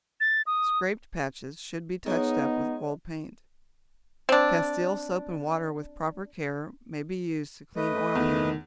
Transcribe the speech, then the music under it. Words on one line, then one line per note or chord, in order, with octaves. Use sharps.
Scraped patches should be touched up with gold paint. Castile soap and water, with proper care, may be used to clean oil paintings.
A6
D#6
G#3 B3 D#4 G#4 C#5 D#5
C4 D4
A3 B4 D#5
E2 D#3